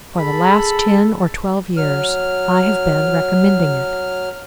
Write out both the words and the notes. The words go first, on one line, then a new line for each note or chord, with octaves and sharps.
For the last ten or twelve years I have been recommending it.
G#4 A4 B5
F#3 F6